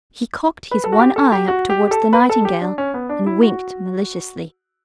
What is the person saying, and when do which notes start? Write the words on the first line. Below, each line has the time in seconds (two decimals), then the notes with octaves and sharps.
He cocked his one eye up towards the Nightingale and winked maliciously.
0.71 B4
0.84 A4
0.92 F#4
0.99 G4
1.16 A4
1.32 G4
1.48 F#4
1.70 G4
1.87 G4
1.91 A4
2.13 B4
2.29 A4
2.45 G4
2.61 D4
2.78 C#4
2.94 B3
3.09 D4
3.26 E4
3.42 F#4